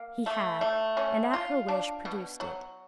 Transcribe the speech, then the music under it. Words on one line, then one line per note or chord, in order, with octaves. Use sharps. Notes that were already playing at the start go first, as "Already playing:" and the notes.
He had, and at her wish produced it.
Already playing: A#3
A3
A3
C#4
F4
D4
B2
F#3